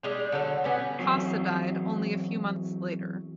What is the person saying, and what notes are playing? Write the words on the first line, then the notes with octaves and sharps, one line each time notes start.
Cossa died only a few months later.
G3 G#3 D4
D3 F#3 A4
G3 B3 C#4
E2 F#3 C4 C#4